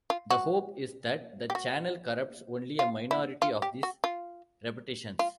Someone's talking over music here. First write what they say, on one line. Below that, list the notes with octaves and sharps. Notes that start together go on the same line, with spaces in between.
The hope is that the channel corrupts only a minority of these repetitions.
F4
F#4
G4
F#4
F4
E4
F4
G4
F#4
F4
F4